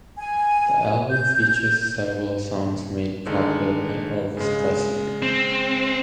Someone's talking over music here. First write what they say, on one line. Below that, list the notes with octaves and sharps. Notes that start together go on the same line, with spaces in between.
The album features several songs made popular by Elvis Presley.
G#5
G6
D3 D#3 G#3
C#3 G#3
C4